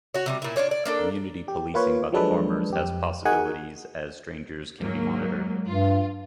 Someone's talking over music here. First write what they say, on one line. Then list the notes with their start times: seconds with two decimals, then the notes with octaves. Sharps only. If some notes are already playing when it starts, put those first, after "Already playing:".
Community policing by the farmers has possibilities as strangers can be monitored.
0.14 F#4 C#5
0.26 C3 F#3 G3
0.42 A#2 E4
0.56 D4 F4 C#5 D5
0.71 D5
0.85 A#3 D4 A4
1.48 G4
1.74 A#3 F4 B4 C#5
2.12 F3 F#3 G#3 D4 A4 B4
2.70 F2 G4
3.25 D#4 F#4 G#4 A#4 F#5 G#5
4.79 G#2 F#3 A#3
5.68 G2 F4